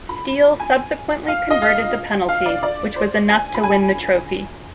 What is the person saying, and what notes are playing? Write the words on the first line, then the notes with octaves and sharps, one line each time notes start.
Steel subsequently converted the penalty, which was enough to win the trophy.
B5
G#5
F5
D#5
F5
F5
D5
D5
C5
G#5
B5
G#5